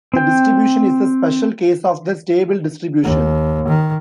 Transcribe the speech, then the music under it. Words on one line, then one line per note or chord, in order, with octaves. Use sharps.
The distribution is a special case of the stable distribution.
C4 G5
D#2
D#3